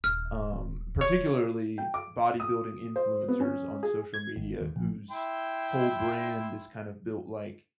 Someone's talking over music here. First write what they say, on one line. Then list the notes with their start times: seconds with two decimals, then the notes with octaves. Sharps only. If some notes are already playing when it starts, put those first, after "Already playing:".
um, particularly bodybuilding influencers on social media whose whole brand is kind of built, like,
0.04 D#1 F6
1.01 C#5
1.78 G5
1.94 D6
2.40 D#6
2.96 C5
3.28 B3
3.41 C#4
3.83 G#4
4.14 G#6
4.36 G#1
4.61 D#2
4.76 A#1
5.11 E4 G5 C6